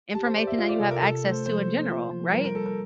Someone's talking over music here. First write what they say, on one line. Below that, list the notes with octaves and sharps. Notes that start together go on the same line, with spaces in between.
information that you have access to in general, right?
G4 A5
C5
G4 D5
E5
F4 F5
D5
C3 A4
A#4
C3 A4
A3
C5
F3 C5
A#3
F4
F3
G3 A#4
A#4
G3 A4
A#4